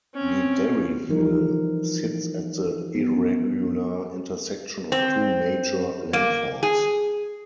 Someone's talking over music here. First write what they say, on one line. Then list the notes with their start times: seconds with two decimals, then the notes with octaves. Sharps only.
Medaryville sits at the irregular intersection of two major landforms.
0.14 C4 C#4
1.09 E3 F3 G3 D#4 A#4
2.95 B3
4.92 C4
6.13 A#3
6.63 G#4